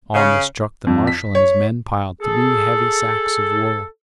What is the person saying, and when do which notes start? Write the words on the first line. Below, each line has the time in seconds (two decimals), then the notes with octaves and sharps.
On this truck the marshal and his men piled three heavy sacks of wool.
0.15 C#3
0.87 F2
1.07 B6
1.35 C#5
2.22 G#4 A4